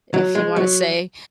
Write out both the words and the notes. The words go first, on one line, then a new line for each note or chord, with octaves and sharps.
if you want to say.
F#3
G#3
F#3